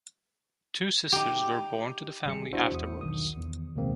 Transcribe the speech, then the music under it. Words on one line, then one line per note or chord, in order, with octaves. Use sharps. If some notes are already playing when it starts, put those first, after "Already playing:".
Two sisters were born to the family afterwards.
D#4 G4
G#1 C3 G3 G#4 C#7
D4 E4 F#4 C5 E5
E2 D#6
B1 D#3 D#6
E2
C#2 B2 D#3 G#3 A#3 C4